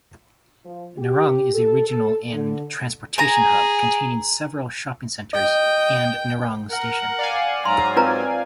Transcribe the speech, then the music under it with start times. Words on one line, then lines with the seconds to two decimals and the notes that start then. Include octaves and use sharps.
Nerang is a regional and transportation hub, containing several shopping centres and Nerang Station.
0.65 F3
0.98 G4
1.55 A4
1.88 A4
2.34 D3
3.18 G#4 G#5 A#5
5.34 D#5 G5
6.70 A#4 F#5
7.19 D5 F5 G#5
7.65 G#2 F#3 A#5 C6
7.97 C4 F4 B4 A#5